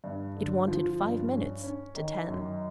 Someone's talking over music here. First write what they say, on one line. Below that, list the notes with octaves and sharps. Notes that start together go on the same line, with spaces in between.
It wanted five minutes to ten.
G2
D3
F3
G2
C#4
C#4
D#3
F#2